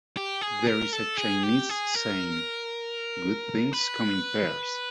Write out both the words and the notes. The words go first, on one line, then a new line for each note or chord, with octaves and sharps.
There is a Chinese saying: "good things come in pairs".
G4
G#4
A#4
A4
G#4
G4
G#4
A#4
B4